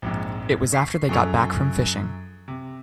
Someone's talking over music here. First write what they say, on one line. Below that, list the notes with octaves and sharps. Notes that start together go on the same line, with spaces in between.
It was after they got back from fishing.
A#1 F2 G#2
C#6 B6 C7
F#2 F3 G#4 A4 C#6 F7
C3